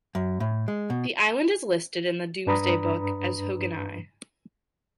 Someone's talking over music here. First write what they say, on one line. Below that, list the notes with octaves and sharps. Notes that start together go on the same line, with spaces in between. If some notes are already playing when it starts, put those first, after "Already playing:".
The island is listed in the Domesday Book as Hougenai.
F#2
A2
G#3
B2
G2 D4 B4 A#5 B5 D#6